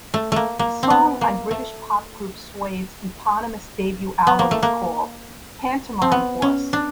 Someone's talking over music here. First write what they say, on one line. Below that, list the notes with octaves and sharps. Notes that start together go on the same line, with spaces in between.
A song on British pop group Suede's eponymous debut album is called "Pantomime Horse".
A3
A3 A#3
A#3
C4
B3
A#3
A3
B3
A#3
A3
A#3
C4
B3
C#4
D4